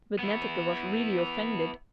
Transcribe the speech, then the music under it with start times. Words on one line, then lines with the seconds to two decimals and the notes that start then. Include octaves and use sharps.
But Netteke was really offended.
0.19 B3 E4